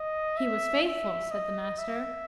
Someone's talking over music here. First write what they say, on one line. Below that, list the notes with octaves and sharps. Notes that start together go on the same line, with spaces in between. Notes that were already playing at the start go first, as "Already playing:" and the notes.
He was faithful, said the Master.
Already playing: D#5
E5
E5
D#5
E5